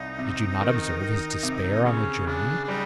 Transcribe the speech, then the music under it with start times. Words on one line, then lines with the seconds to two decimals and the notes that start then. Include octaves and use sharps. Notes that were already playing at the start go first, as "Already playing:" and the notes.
Did you not observe his despair on the journey?
Already playing: C2 D#4
0.19 C3
0.60 D#3
1.02 D#3
1.43 C3
1.85 C#3 C#4
2.27 C#3 D4
2.64 D4
2.68 G3 D#4